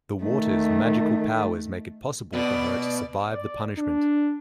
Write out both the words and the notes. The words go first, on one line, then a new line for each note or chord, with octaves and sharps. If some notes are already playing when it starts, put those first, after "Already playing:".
The water's magical powers make it possible for her to survive the punishment.
D#3 A3
B2 D5
D5
D4